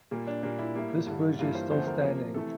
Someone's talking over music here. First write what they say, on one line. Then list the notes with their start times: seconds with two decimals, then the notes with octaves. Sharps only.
This bridge is still standing.
0.11 A#2 G3 A#3
0.27 D4
0.43 A#2 G3 A#3 D4
0.59 E4
0.75 A2 G3 A#3
1.07 G2 D3 G3
1.39 G2 E3 G3 A#3 F4
1.55 C5
1.71 E2 D3 F3 A3 C5
1.87 A#4
2.03 C3 F3 A#3
2.34 C3 E3 A3 A4